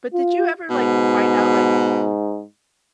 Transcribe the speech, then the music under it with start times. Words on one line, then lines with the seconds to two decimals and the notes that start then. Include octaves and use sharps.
But did you ever, like, find out, like,
0.13 F4
0.70 G#2 B2